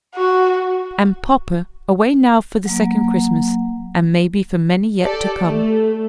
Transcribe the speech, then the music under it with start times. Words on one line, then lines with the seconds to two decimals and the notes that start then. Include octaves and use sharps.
And "Papa" away now for the second Christmas, and maybe for many yet to come!
0.15 F#4
2.65 F#3 A#3
5.01 G4 A4 D5
5.42 A3